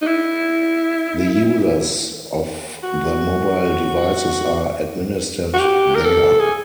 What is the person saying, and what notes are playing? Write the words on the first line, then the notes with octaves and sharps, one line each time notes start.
The users of the mobile devices are administered there.
D#4
E4
F#4
F#4
G4
A#4
A4
G#4